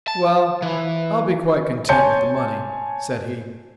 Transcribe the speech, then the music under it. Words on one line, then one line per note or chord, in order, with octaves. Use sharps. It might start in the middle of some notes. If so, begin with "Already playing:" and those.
"Well, I'll be quite content with the money," said he.
A5
E3
C#5 G#5 A5 C6 G6 C#7